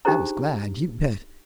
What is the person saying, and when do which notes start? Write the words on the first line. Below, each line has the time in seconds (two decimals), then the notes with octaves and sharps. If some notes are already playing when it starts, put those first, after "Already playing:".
I was glad, you bet.
0.05 D4 D#4 G4 G#4 C5 A#5